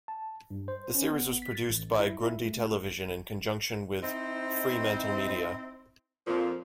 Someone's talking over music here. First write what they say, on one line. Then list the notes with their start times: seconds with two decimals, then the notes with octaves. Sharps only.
The series was produced by Grundy Television in conjunction with FremantleMedia.
0.08 A5
0.50 G2
0.68 C5
0.95 C#4
1.10 B3
1.42 B6
1.55 A6
1.69 A1
2.00 E4
2.23 E4
2.46 A3
4.03 C4 D#4 E4 C5
6.27 F2 A#2 F3